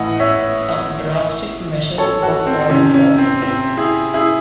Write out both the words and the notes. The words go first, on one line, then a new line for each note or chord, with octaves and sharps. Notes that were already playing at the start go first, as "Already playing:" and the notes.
Some drastic measures were called for.
Already playing: A2 E3 D#5 F#5
C#5 E5
A4 C#5
F#4 A4
C4
C3 D#3 C#4
C#4
C4
C4
E4 G#4
E4 G#4